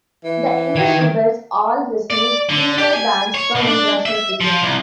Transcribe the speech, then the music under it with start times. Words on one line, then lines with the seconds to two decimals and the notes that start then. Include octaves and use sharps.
The English rebels all received three-year bans from international cricket.
0.24 E3
0.76 D#3 G5 G#6
2.10 D5
2.50 D3
2.78 G4
2.93 G#5
3.34 C#5
3.55 B2
3.67 D4
4.06 E5
4.41 F3
4.62 C2